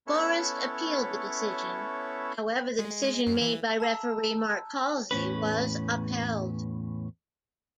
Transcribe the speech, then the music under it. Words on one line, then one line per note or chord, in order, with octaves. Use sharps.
Forest appealed the decision, however the decision made by referee Mark Halsey was upheld.
B3 C#4 E4 A4 C#5 E5
G#3
F#2
E3
A5 A#5 E6
E2 A2 C#4 B4